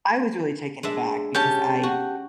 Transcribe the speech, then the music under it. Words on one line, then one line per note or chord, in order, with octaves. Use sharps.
I was really taken aback, because I
G#3 D4 E5
C#4 G4 A5
F#4